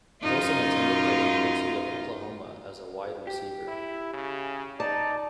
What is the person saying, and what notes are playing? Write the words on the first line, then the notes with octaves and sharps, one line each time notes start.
Wilson attended the University of Oklahoma as a wide receiver.
F#2 D#4 F4
G4
E4
C#3
D#4 D5 A5